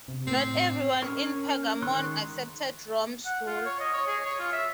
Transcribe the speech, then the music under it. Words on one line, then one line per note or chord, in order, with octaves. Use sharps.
Not everyone in Pergamon accepted Rome's rule.
C3
A2 C4
C#4 A#4 C#5 C#6
D#3 G#3 C6 C#6 F#6
F#5
F4
C#5
D#5
C#5
G#4
C#5
F4
E5